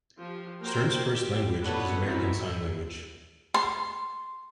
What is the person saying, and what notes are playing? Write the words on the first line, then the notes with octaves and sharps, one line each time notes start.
Stern's first language is American Sign Language.
F3 G4
A#3 F#4 A#4 C5 G5
G4
B3 D4 A4 B4 C#5 F#5
E3 C4 C#4 D#4 E4 F#4
E5
C6